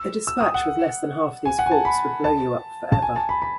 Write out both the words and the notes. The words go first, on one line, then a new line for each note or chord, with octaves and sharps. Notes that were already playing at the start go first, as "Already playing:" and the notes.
A dispatch with less than half these faults would blow you up forever.
Already playing: E6
E6
D#6
F#5
G#5
F#5
G#5
A5
B5
A5
A5
G#5
A5
B5
B5